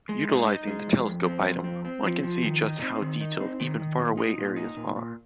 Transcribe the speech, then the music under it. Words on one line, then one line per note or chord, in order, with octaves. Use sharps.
Utilizing the telescope item, one can see just how detailed even far-away areas are.
G#3
D#4
D#4
G#3
F2
F2
C4
F2
C4
C4
F3
F3
D#3
D#4
C4
D#3
D#4
C4
D#3
D#3
A#2
D#4
A#2
D#4
A#2
A#2